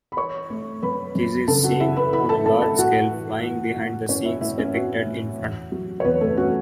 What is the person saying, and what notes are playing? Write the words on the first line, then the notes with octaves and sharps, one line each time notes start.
This is seen on a large scale flying behind the scenes depicted in front.
B5
E3 C#5 C#6
A3
F#2 B4 B5
F#2
C#3 A4 A5
F#4 F#5
E3 E4 E5
B4 B5
E3 B4 B5
A4 A5
A3 A4 A5
A4 A5
A2 F#4 F#5
E3
E3
A2
E3 C#4 C#5
E4 E5
A2 E4 E5
C#4 C#5
B3 F#4
A2
E2
F#3
C#5
E2 B3 B4
A3 A4
C#4 F#4